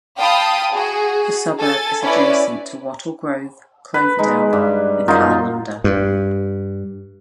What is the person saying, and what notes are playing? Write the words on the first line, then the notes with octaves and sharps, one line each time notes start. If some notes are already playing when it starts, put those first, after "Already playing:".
The suburb is adjacent to Wattle Grove, Cloverdale and Kalamunda.
F5 G5 A5 B5 D#6
F#4 G#4
A4 G#5 A6
C#4 E4 B4 D5
B4
G#3 D#4
G2
F#2 D#4 F4 C6
G2